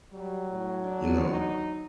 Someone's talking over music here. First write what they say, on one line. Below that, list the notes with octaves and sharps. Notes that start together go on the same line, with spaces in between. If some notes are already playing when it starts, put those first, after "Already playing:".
you know?
F#3 G3
A2
D4
D#4